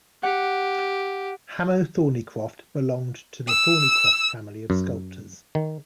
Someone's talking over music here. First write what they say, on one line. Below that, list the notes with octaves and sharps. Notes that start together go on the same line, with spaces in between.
Hamo Thornycroft belonged to the Thornycroft family of sculptors.
G4 F#5
E6
F#2
D#3